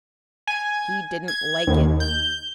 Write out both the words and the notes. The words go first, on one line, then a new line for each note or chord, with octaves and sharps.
He didn't LIKE it!
G#5
G#6
D#2
G6